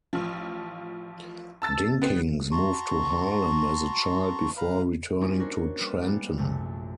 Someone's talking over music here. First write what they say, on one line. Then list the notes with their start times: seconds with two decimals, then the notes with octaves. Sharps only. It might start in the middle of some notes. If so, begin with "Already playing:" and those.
Dinkins moved to Harlem as a child before returning to Trenton.
0.13 A1 F3
1.62 A5 E6 A6
2.02 B3 C4
2.52 F#4 A5 A#5 C6 C#6
4.57 B4 F5 A#5 B5
5.21 G3 A#3 C4 C#4 D#4 F4
5.39 C4 D4 F#4 A#4 C5 C#5
5.79 G3 B4 F6 D#7 E7
6.02 G3 G#3 A#3 B3
6.38 A#1 F#2 C3 A3